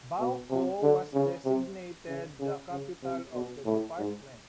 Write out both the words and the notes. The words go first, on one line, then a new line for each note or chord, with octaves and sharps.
Boaco was designated the capital of the department.
B2
C3
D3
C#3
C3
C#3
C#3
C#3
C3
B2
A2
G#2